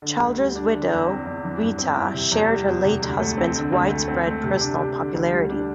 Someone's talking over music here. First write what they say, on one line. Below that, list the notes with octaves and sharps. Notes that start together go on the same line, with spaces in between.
Childers's widow, Rita, shared her late husband's widespread personal popularity.
D3
D2
G3
D4
D3
E2
C4
E2
E3
G2
C4
E4
C3
E2
G3
E2
C3
D2
A3
C4
D3
D2
A3
C4
A3
C3
D4
G4
D3
D2
G3
D4